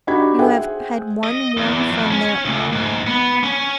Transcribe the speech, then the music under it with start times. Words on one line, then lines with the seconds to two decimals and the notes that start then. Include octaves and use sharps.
You have had one warm friend there all along.'
0.07 D4 D#4 F#4 G4 B5 G#6
0.39 G#4 C5 E5 F#5 G5
1.24 D#5
1.57 E2
1.92 F2
2.11 C#4
2.45 C#2
2.73 G#2
3.07 B3
3.44 C#4